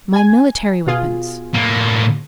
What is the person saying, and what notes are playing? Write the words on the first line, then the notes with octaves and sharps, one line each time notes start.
"My military weapons."
G#5 G#6
B2 F4 G#4
A2 A#3